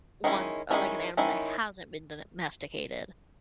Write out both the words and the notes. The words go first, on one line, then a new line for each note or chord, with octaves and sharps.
one or like an animal that hasn't been do domesticated.
D#3 G#3 C#4 E4
D#3 G#3 C#4 E4
D#3 G#3 C#4 E4